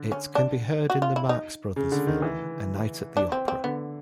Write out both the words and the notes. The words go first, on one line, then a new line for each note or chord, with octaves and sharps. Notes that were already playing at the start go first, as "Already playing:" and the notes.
It can be heard in the Marx Brothers film "A Night at the Opera".
Already playing: D3
C#4
D4
F#4
F4
E4
D#4
C#3
D3
D#3
E3
D4
C4
C4
D3 B3